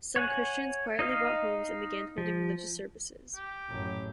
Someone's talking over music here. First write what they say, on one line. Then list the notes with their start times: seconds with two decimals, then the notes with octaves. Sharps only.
Some Christians quietly bought homes and began holding religious services.
0.16 C#5 F#5 G#5
0.99 D#4 D#5 F5
2.18 F3
3.36 G4
3.69 A1 F#2